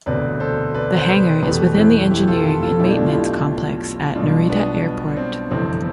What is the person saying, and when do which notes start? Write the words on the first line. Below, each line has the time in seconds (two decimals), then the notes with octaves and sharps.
The hangar is within the engineering and maintenance complex at Narita Airport.
0.06 E1 D2 C3 B4 D5
0.40 A4 C5
0.74 B4 D5
0.97 C5
1.09 B4 D5
1.43 F1 E2 B2 A3 G4 B4
1.76 C4 E4
2.11 E4 G4
2.27 F4 A4
2.45 F4 A4
2.62 F4 A4
2.79 B1 B2 A3 E4 G4
2.91 D4
2.99 E4
3.06 F4
3.13 E4 G4
4.15 B1 B2 G3 D4 F4
4.49 B3 D4
4.83 B3
5.08 D4
5.17 C4
5.51 G1 F2 C3 E3 C4